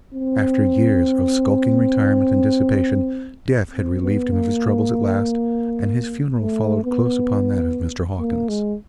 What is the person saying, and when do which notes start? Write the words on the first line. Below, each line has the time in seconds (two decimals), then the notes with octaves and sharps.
After years of skulking retirement and dissipation, death had relieved him of his troubles at last, and his funeral followed close upon that of Mr. Hawkins.
0.14 C4
3.72 C4
4.02 B3
4.32 A#3
6.40 A3
6.84 B3
8.19 A#3
8.49 G#3